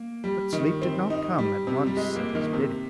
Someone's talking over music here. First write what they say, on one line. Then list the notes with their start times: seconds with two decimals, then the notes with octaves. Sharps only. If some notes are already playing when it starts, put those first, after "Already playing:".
But sleep did not come at once at his bidding.
Already playing: A#3
0.24 G3
0.53 D#3
0.82 C4
1.10 D#4
1.38 G3
1.67 C3
1.86 G3
1.97 G#3
2.16 A#3
2.35 D#3
2.53 C3